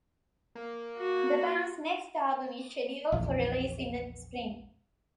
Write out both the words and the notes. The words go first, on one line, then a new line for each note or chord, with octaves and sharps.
The band's next album is scheduled for release in the spring.
A#3
F#4
A#1 E2